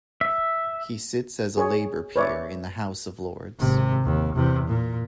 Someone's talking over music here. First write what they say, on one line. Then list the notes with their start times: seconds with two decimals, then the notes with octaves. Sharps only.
He sits as a Labour peer in the House of Lords.
0.21 E5
1.57 G#4 C#5
2.16 B4 C#5 D5 E5
3.58 G#1 C3
4.05 D#2
4.35 E2 C3
4.67 A#2